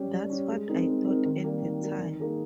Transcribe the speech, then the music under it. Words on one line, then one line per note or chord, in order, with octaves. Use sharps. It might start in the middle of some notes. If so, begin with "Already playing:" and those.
That's what I thought at the time.
Already playing: G3 C#4 G4 C#5
G3
C#4 G4 C#5
G#3
C4 D#4 A#4
G#3
C4 D#4 A#4
D#3
G3 A#3
D#3
G3 A#3
D#3
A#3 D#4 G#4